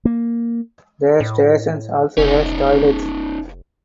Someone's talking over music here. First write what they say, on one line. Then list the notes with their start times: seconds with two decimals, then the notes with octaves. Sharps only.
The station also has toilets.
0.05 A#3
1.20 A2
2.18 F1 C#4 D#4